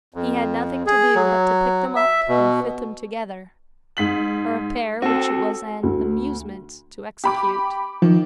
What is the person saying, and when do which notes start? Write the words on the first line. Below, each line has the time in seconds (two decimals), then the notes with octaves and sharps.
He had nothing to do but to pick them up and fit them together--a repair which it was an amusement to execute.
0.14 F2
0.86 G#4
1.15 F#3
1.96 E5
2.28 B2
3.97 G#2 B6 F#7
5.02 C4 F#4 A4
5.83 D2
7.24 G4 B5 D6
8.02 D#3 F3